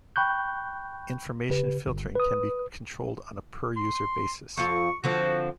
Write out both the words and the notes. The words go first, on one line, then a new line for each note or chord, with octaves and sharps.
Information filtering can be controlled on a per-user basis.
G5 B5 C#6 F#6 G6
C#3 G4 B4
G1
B4 D#6
C6
F2 F4 C#6
D3 F3 C4 F#4